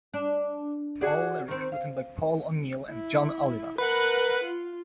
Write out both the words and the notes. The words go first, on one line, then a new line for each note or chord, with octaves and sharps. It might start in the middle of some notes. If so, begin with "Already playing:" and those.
All lyrics written by Paul O'Neill and Jon Oliva.
D4
F#4 G#4 D5
D#3 C4
F5
E4
A#4 B4 F#5
F4